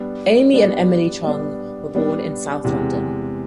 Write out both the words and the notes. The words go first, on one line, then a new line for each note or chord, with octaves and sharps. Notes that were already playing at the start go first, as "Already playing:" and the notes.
Amy and Emily Chung were born in South London.
Already playing: G3 B3 D4
G3 B3 D4
G3 B3 D4
G3 B3 D4
E2 C3 E3 G#3